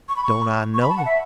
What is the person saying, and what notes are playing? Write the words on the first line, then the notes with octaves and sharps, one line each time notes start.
Don't I know it!
C#6
B5
C#6
C#6
B5
A5
F#5
E5